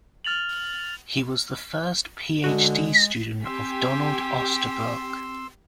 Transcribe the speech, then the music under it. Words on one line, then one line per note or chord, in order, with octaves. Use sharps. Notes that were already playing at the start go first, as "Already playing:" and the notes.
He was the first Ph.D. student of Donald Osterbrock.
F6 A6 F7 F#7
D3 G#3 F#4
C4 G4 G#5 C6 E6 B6